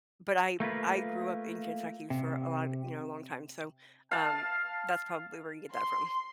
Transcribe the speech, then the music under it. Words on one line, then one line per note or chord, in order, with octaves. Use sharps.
but I I grew up in Kentucky for a lot, you know, long time, so, um, that's probably where you get that from.
A3 A#3 F4 B4
C3
F5 A5
C6